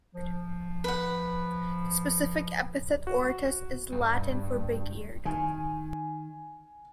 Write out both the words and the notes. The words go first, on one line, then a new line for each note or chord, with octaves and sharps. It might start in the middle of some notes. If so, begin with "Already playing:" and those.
The specific epithet, "auritus," is Latin for big-eared.
F3
B4 F#5
F#4
G2
D#3 G#5